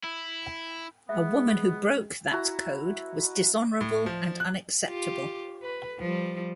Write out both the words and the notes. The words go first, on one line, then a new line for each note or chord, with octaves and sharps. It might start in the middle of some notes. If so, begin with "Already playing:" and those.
A woman who broke that code was dishonorable and unacceptable.
E4
G#3 B3 E5
E4 F#4 A#5
A2
F3
F#6
F4 G4
B4
F3 G3